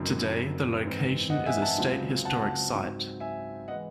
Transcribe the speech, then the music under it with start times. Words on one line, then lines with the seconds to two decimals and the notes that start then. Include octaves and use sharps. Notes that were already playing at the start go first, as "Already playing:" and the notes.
Today, the location is a state historic site.
Already playing: F#1 F#2 D#3 F#3 C4
0.82 G#2 E3 C4
1.30 D#5 F#5
1.46 E5 G#5
1.62 F#5 A5
1.78 C#2 C#3 F#3 C4
2.25 F#5 A5
2.73 G#2 F#3 C4
3.20 E5 G#5
3.68 E3 G#3 D#5 F#5